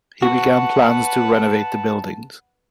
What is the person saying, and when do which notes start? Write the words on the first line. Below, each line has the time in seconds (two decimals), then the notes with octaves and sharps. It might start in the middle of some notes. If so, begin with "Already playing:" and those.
He began plans to renovate the buildings.
0.22 F#4 B4 F#5 A5